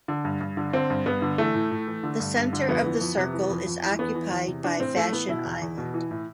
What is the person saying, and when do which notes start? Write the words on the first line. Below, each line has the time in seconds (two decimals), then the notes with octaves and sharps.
The center of the circle is occupied by Fashion Island.
0.08 D3
0.25 G2
0.41 G2
0.57 D3
0.73 D3 C4
0.90 G2
1.06 G2 B3
1.22 D3
1.38 E3 A3
1.54 A2
1.71 A2
1.87 E3
2.03 D3
2.20 G2
2.36 G2
2.53 D3
2.68 F2 B3
2.85 E3
3.01 F2
3.17 C3
3.34 E3
3.50 F2
3.66 F2
3.83 E3
3.99 E2 B3
4.15 E3
4.31 E2
4.48 C3
4.63 E3 D4
4.80 A2 C4
4.96 A2 A3
5.12 E3 B3
5.29 B2 E4
5.45 E2
5.62 E2
5.78 B2
5.94 E3
6.11 A2